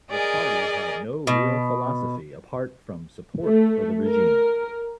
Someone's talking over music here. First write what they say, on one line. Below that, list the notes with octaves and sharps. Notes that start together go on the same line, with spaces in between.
The party had no real philosophy apart from support for the regime.
G#4 A#4 D5 D#5 G#5
B2
A3
A#4